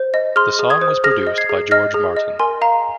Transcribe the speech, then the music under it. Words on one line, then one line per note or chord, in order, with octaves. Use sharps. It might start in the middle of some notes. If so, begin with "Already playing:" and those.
The song was produced by George Martin.
Already playing: C5
D#5
G#4 C6 F6
G#4
D#6 G#6
C5
G#4 F6 A#6
D#5
G#6 C7
G#4
D#5 F6 A#6
G#4
D#5
A#4 G#5 C6
F5 A#5